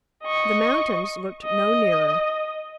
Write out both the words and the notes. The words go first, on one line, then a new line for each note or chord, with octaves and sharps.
The mountains looked no nearer.
D#5 C#6
D#5